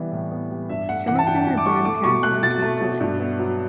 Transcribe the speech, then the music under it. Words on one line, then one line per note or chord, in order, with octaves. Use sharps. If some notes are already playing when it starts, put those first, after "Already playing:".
Some of them are broadcast on tape-delay.
Already playing: E3 G3 B3
A2
B3
G3
G2 E5
A3 F#5
E3 F#5
A5
G2 G5
G2
D6
A3 C#6
A3 D6
B2 C#6
A3 F#6
B2 A6
A3
B2
G2
B3
F#3